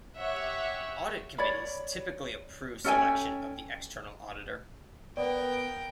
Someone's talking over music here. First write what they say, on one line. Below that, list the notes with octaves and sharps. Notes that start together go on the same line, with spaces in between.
Audit committees typically approve selection of the external auditor.
G4 C#5 E5 F#5
C#5 D5 B5
C#4 A4 G5 G#5
B3 A#4 D5 G5